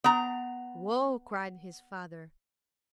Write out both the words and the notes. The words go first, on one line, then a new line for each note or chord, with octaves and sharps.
"Whoa!" cried his father.
B3 A#5